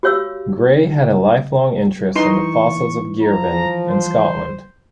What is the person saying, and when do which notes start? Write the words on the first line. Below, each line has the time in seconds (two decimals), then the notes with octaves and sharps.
Gray had a lifelong interest in the fossils of Girvan in Scotland.
0.03 F#4 G4 C#5 F5 E6
2.16 E3 D#4 C6 C#6
3.22 F3 A#5
3.88 C5